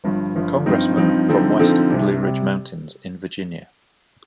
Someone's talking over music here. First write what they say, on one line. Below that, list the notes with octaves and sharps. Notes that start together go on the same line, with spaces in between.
Congressman from west of the Blue Ridge mountains in Virginia.
G1 G2 F3
G1 G2 F3
G2 F3 C4 D#4
G2 F3 C4 D#4
D3 F3 C4 D#4 A4
D3 F3 C4 D#4 A4
C2 C3 G3
C3 G3